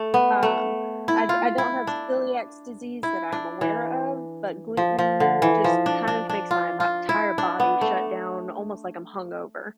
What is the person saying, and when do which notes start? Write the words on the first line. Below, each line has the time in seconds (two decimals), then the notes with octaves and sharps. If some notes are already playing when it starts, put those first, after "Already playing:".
Um, I d I don't have celiacs disease that I'm aware of, but gluten just kind of makes my bo 'tire body shut down almost like I'm hungover.
Already playing: A3
0.14 B3
0.43 A3
1.08 E4
1.29 F4
1.58 E4
1.87 D4
3.03 E4
3.32 D4
3.61 E3
4.77 F3
4.99 F3
5.20 D3
5.42 E3
5.64 F3
5.86 D4
6.08 D4
6.30 D4
6.51 F4
6.80 F4
7.09 E4
7.38 D4
7.60 B3
7.81 A3